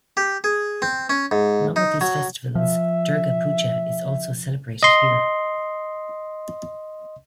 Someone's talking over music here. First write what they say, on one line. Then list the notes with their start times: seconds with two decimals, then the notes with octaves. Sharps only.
Along with these festivals Durga Puja is also celebrated here.
0.17 G4
0.44 G#4
0.82 C4
1.10 C#4
1.31 G#2
1.76 D#4
2.01 F#3
2.55 F3 E5
4.83 D#5 C6